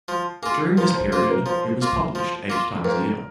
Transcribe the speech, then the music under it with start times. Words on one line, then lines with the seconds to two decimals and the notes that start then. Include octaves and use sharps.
During this period it was published eight times a year.
0.08 F3
0.42 A#3 F4 G#4
0.78 F3 A#4
0.94 C5
1.11 A#3 F4 C5
1.29 A#4
1.46 F3 C5
1.82 A#3 F4
2.15 F3
2.50 A#3 F4
2.84 F2 A#4